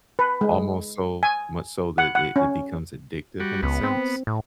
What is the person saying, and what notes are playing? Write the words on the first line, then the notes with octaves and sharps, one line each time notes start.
almost so much so that it it becomes addictive in a sense.
B4
G#3
G#5
F#5
F#5
C#4
G3 F#4
C#2 B3
C4
A2